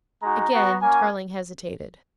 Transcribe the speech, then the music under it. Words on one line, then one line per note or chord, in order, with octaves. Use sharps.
Again Tarling hesitated.
G#3 D#4 F#4 A#5
B3 F#4
A#3 C#4 F#4 G#5